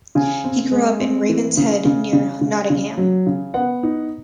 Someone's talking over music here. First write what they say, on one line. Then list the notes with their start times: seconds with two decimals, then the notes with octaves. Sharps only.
He grew up in Ravenshead, near Nottingham.
0.15 C#3 G#5
0.44 C4
0.72 G#3
1.00 C4
1.29 E3
1.57 C#3
1.85 C#3
2.13 C#3
2.41 C#3
2.70 C#3
2.97 F#3
3.27 C#3
3.54 B3 F#5
3.83 D#4